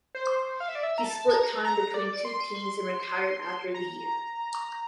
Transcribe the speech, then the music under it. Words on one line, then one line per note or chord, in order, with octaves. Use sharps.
He split time between two teams and retired after the year.
C5
F5
E5
D5
E5
A#5
A5
A#5
A#5
D5
C6
C6
A#5